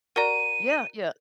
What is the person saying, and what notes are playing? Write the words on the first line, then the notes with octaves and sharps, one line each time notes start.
Yeah, yeah,
F#4 A#4 D5 A#5 D#7